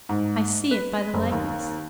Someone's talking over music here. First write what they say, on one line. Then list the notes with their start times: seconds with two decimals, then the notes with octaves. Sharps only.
I see it by the likeness.
0.09 G#2
0.71 B4
1.14 F#1
1.32 D#2